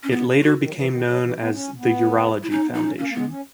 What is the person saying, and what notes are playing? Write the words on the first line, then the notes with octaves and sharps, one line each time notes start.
It later became known as The Urology Foundation.
C#4
B2 B3
C#3
D#3 F#4
D#3
F#3
E3
D#3
F#3
E3
B3
C#4
B3
E4
C#4 D#4
B3
D#4
C#4
A#3 C#4
A#3
G#3 B3
C#4